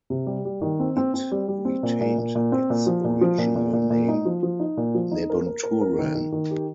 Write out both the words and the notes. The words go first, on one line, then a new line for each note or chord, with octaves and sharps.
It retained its original name, Nabunturan.
C3
G3
G3
D#3
C4
C4
C4
G3
G3
C4
A#2
A#2
A#2
A#2
C4
A#2
F3
A#2
F3
A#2
A#2
A#2
A#2
D#4
F3
F3
D#4
A#2
F3
D#4
A#4
A#4
A#4
A#4
D#3
D#3
D#3
G4